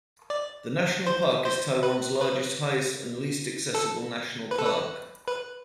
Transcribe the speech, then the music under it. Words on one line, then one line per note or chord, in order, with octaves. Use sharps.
The national park is Taiwan's largest, highest and least accessible national park.
D5
C5
C5
B4
B4
A4
B4
A4
B4
B4